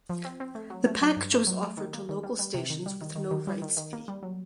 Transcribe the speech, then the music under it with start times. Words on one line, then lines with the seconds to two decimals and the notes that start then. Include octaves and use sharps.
The package was offered to local stations with no rights fee.
0.09 F3
0.25 C4
0.40 C4
0.55 A3
0.70 F#3
0.86 A3
1.01 F#3
1.17 G2
1.32 A3
1.47 F#3
1.63 A3
1.77 D#3
1.94 A#3
2.09 D#3
2.23 G3
2.39 G3
2.54 C3
2.70 D#3
2.86 G3
3.01 D#3
3.15 D#3
3.31 D#3
3.47 G3
3.62 D#3
3.77 D#3
3.93 A#3
4.08 G3
4.23 F#3